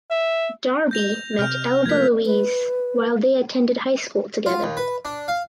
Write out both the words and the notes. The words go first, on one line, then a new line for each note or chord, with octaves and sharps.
Darby met Elva Louise while they attended high school together.
E5
G6 A#6 F7
C3 F6 G6
F3 A3 A#3 G#6 B6
B4
F4
D#2
B4
D4
F5